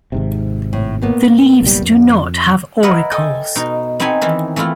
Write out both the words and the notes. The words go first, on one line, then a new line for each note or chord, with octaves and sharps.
The leaves do not have auricles.
G#1 G#2 C3
A2
A2 A#3 B3
F#1 B1 G3
F2
A#4 B4 C#5 D#5 E5 F#5
A4 D#5 G5 G#5
B2 D#4
B3 C4 D#4 C#5 G#5 B5
D#3 E3 E4
E3 A3 C4 E4 F4